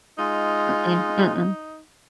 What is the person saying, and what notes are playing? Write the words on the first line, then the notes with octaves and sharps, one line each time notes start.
Mm-mm, mm-mm.
G#3 D#4 F4